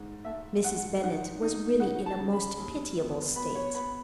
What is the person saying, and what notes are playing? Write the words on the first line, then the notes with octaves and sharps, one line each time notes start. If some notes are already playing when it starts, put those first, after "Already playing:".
Mrs. Bennet was really in a most pitiable state.
Already playing: G#2 D#4
A3 E5
G#2 F#5
D#4 F#5
D#4
C#3 F#5
A5
C#3
B5
D#2
B3
B3 B5
C#5
B3 B5